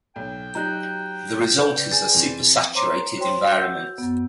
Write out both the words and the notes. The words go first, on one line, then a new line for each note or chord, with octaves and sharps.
The result is a supersaturated environment.
B1 G5
F#3 D#4 G4 A#5 F#6 G6
C#3 B4 D5
G#4 G#5 A6
F2 E3 C4
C5 C#5 A#5 C6 D6
F#4 C5 C#5 G5 C6
F#5 E6 G6
F#2 B3